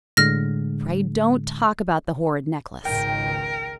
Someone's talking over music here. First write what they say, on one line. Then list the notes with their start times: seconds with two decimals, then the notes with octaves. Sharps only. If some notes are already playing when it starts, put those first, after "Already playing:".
"Pray don't talk about the horrid necklace."
0.17 A2 D3 G#3 F6 A#6
2.85 G#1 C#2 D#3 A#4 G5